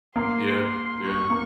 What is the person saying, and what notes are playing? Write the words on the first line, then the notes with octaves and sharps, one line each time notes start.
Yeah, yeah.
A#3 C6
C6
C#6
A#3